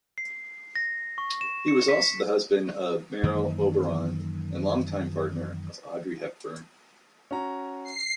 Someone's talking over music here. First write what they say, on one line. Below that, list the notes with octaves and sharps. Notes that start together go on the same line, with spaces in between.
He was also the husband of Merle Oberon and longtime partner of Audrey Hepburn.
C7
A#6
C#6
E7
C#7
B6
F#2 D#3 E3 A#3
C#4 F#4 A#5
C7